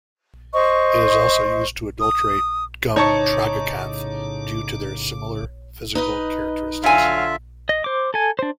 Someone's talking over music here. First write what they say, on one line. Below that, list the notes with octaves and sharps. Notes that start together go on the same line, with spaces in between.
It is also used to adulterate Gum tragacanth due to their similar physical characteristics.
C5 D#5 C#6
D#6
A2 C#3 D#4 C#5 A5 C#6 D6
D#4 B4 D#5
D3 F#3 F4 E5 F5 G#5
D#5
C5 D6
A4 G#5
D4 C5